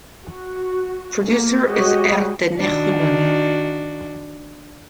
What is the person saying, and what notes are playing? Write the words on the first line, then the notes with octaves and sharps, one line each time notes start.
Producer is Erdenechulun.
F#4
A#3
G#3 F#4 G4 C#5 D#5
D#3 D4 F#4